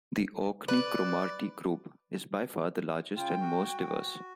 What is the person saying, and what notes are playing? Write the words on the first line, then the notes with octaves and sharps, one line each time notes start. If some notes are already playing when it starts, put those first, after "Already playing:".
The Orkney-Cromarty group is by far the largest and most diverse.
B4 D5
C#3 F4 G5
F#4